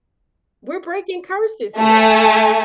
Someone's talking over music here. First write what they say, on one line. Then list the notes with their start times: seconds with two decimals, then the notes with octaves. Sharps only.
We're breaking curses here.
1.77 A3 G#5